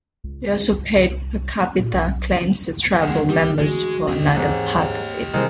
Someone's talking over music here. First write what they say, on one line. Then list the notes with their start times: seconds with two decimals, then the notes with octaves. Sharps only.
They also paid per capita claims to tribal members for another part of it.
0.24 C#2
0.78 C#2
0.96 C2
1.79 A#2
1.93 B1
3.02 D#2 G#3 F#5
3.29 G3 G4
3.58 D2 E3 G#3 F#4
4.08 D#2 D#3 C#4 G4 D#5
4.36 D#2 G#2 E3 C4 C#5
5.34 C3 D#3 G3 G#3 C4 E4